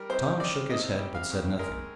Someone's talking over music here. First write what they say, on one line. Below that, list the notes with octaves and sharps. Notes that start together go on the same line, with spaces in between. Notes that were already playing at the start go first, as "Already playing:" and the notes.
Tom shook his head, but said nothing.
Already playing: G3 A#4
C2 C5
C2 D5
C3 D#5
G3
F5
C2
G#3 A#4